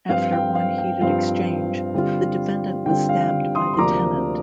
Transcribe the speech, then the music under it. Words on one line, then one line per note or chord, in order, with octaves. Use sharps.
After one heated exchange, the defendant was stabbed by the tenant.
G2 F3 C4 F4 F5
G5
F5
G5
G2 F3 C4 F4 F5
D3 G3 C4 F4
D3 G3 C4 F4 G5
F5
C6 D#6
C6
D2 C3 F3 A#3 D4 A#5 D6